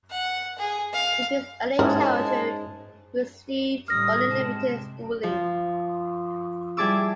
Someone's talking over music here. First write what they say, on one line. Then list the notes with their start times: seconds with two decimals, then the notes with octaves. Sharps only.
In his early childhood, he received only limited schooling.
0.11 F#5
0.58 G#4
0.93 F5
1.79 G#2 G#3 C#4 E4 A#4 C#5 A5
3.88 A2 D3 G3 D#6 F6 A#6
4.30 C3 G#3 A5
5.23 F3
6.77 G3 E4 G#4 A5 D6 E6